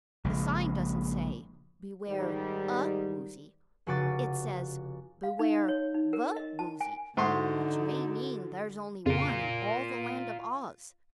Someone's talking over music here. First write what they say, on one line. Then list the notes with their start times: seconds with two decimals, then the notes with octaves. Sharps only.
"The sign doesn't say: 'Beware a Woozy'; it says: 'Beware the Woozy,' which may mean there's only one in all the Land of Oz."
0.24 A#1 C#3 G#3
2.07 G#2 D#3 G3
3.87 F1 C#3 F#4 D6 A6 D#7
5.23 F5
5.39 D#4
5.54 D#5
5.68 C#5
5.94 D#4
6.13 A#4
6.36 D#5
6.59 A5
6.81 G#5
7.17 G#2 D3 D#4 E4 F#4 A4 C6
9.06 F2 C#3 F4 A#4